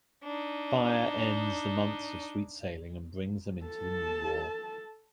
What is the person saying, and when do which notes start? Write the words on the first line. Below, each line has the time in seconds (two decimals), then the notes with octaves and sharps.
Fire ends the months of sweet sailing and brings them into the new war.
0.22 D4 D#4
3.66 A4 A5